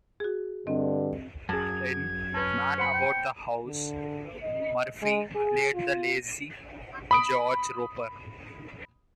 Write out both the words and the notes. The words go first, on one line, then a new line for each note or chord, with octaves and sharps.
In "Man About the House", Murphy played the lazy George Roper.
F#4 G#4
G2 D3 C4 D#5
F#2 G#4 A5 G#6
C#4 B4 A5
C5 F#5 B5 C#7
G5
D3
D#5
G#3
G#4
F4
B5 D#6 D7